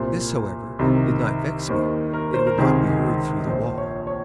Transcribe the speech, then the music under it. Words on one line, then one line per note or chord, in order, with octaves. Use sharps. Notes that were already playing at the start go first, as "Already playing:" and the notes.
This, however, did not vex me; it would not be heard through the wall.
Already playing: C2 A#2 C5
C2 C3 D#3
D#2 D#3 C5
A#4
C5
A#4
C#2 C3 D#3 G#4
G#4
A#1 A#2 C5
C#5
C#5